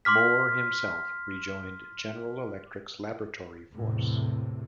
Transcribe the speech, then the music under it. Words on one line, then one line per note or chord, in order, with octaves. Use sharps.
Moore himself rejoined General Electric's laboratory force.
C6 D6 F6 B6
E2 A2 C3